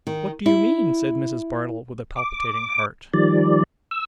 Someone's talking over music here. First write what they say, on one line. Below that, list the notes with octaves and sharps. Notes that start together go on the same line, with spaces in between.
'What do you mean?' said Mrs. Bardell, with a palpitating heart.
D#3
E4
D6
D#3 F3 G3 D5
E6